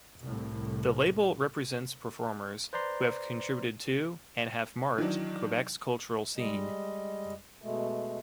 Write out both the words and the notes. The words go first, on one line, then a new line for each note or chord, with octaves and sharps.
The label represents performers who have contributed to and have marked Quebec's cultural scene.
C2 A2
B4 C5 D5 A#5 C6
D#3 E3 F#3 D4
G3 G#3 D#5
B2 G#3 A3